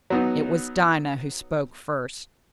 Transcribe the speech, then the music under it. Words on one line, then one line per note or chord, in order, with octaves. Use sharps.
It was Dinah who spoke first.
F#3 B3 D#4